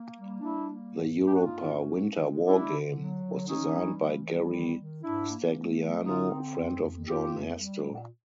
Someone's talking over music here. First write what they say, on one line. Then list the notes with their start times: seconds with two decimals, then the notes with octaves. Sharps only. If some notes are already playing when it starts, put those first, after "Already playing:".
The Europa Winter War Game was designed by Gary Stagliano, friend of John Astell.
Already playing: A#3
0.15 G3
0.40 G3 D4 E4
0.67 A#3
0.93 G#2
1.17 A#3
1.27 G4
1.35 F#4
1.43 G2 D#4 F4
1.68 C#4
1.95 G#3
2.20 G#3
2.46 D3 D4 E4
2.72 D3
2.97 F#3
3.23 D3
3.48 E3 C#4 D#4
3.74 G3
4.01 E3
4.25 G3
4.51 D#3
4.77 D#3
5.02 G#2 D4 E4
5.29 A#3
5.54 A3
5.80 F#3
6.05 D3 D#4 F4
6.32 C4
6.57 F2
6.82 F2
7.08 F2 F4 G4
7.34 F2
7.59 G3
7.85 A#2